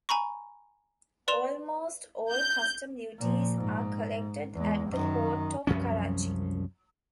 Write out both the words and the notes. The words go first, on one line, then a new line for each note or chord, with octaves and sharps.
Almost all custom duties are collected at the Port of Karachi.
G#5 A#5 B5 C#6
B4 D5 C6 E7 F7
G6
A#2 F3
G#2
E2 G#3
F#2 D#3
C2 F#2 F3 C#4